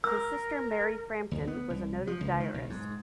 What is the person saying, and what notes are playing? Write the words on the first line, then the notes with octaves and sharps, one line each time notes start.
His sister Mary Frampton was a noted diarist.
A#4 E6
D2
B3
C2
F3
C#2
D#3
B1
G#2